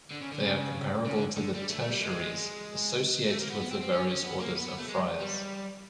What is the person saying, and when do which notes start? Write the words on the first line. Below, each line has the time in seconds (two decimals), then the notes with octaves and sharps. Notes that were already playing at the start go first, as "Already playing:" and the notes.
They are comparable to the tertiaries associated with the various Orders of friars.
0.11 D3
0.21 C#3
0.32 D3
0.41 C#3
1.06 C#3
1.16 D3
1.37 D3
1.54 G3
1.70 A3
1.80 A3
1.90 G3
2.02 G#3
3.29 A3
3.40 A#3
3.50 B3
3.61 B3
3.71 C4
3.82 C4
3.93 C#4
4.09 C#4
4.24 B3
4.40 A#3
4.56 B3
4.67 B3
4.78 A3
4.88 G#3
5.20 G3